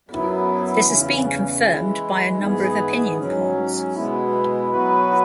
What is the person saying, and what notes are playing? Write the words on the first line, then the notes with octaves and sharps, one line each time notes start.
This has been confirmed by a number of opinion polls.
F#2 F#3 B3 E4
E2 C#3 E3 C#4
E3 G#3 E4
G#2 E3 B3 G#4
G#2 F#3 C#4
B2 G#3 B3 E4
F#3 B3 F#4 B4